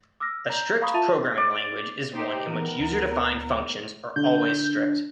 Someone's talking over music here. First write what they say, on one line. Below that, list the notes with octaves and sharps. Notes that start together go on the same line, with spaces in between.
A strict programming language is one in which user-defined functions are always strict.
D6 E6 F6 A#6
A#5 G6
F5 A#5 B5 C#6 D#6
F4 E5 A5 A6 D#7 F7
D5
D#4 G4 C5
E3 B3 A#4
D2
D3 G6